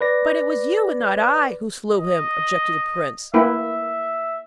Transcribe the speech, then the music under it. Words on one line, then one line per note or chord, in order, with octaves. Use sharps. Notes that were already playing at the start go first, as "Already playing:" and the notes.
'But it was you, and not I, who slew him,' objected the prince.
B4 D5 A#6
D#5
A#3 E4 B4 E5